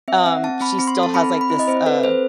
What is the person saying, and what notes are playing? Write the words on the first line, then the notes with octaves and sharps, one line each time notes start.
um, she still has, like, this, uh,
C4 E5
C4 F#5
C4 A5
C4 B5
C4
C6
A4
A5
C4 B5
C4
B5
E4
D#5
C4 C5
A4 B4
C4 C5